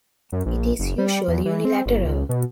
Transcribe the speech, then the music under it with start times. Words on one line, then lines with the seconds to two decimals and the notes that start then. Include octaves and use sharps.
It is usually unilateral.
0.32 F#2
0.46 A#1
0.79 F#1
0.98 G3
1.28 E2
1.45 E3
1.65 C4
1.86 G1
2.05 C#2
2.29 B2